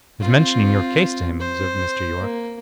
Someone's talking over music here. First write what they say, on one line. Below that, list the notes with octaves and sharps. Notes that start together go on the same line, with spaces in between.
"I was mentioning your case to him," observed Mr. Yorke.
C4 F4
C5
A#3